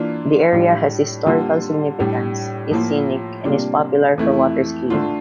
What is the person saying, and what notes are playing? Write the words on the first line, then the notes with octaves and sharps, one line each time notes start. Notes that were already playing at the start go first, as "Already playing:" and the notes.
The area has historical significance, is scenic and is popular for water skiing.
Already playing: E3 A#3 D4 F4
A2 G3 D4
D3 G3 A#3 F4
A2 G3 D4
A2 F3 A#3 F4
C3 G3 A#3 D4 F4
F2 E3 A3 E4
D3 A3 D4 F4